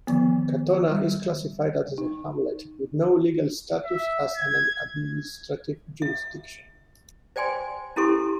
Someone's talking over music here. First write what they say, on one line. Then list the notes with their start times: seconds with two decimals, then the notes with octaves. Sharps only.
Katonah is classified as a hamlet, with no legal status as an administrative jurisdiction.
0.07 D#3 F3 B3
0.91 G3
1.98 D#4
3.85 E5
4.37 G#6
6.02 E5
7.36 C5 D5 G5 G#5 C6
7.96 C#4 E4 G4 A4 C6 C#6